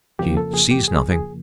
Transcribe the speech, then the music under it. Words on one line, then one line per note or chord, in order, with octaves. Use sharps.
She sees nothing.
F2 C#3 F3 A#3 G4
A4
G#4
G4
G#4
G#4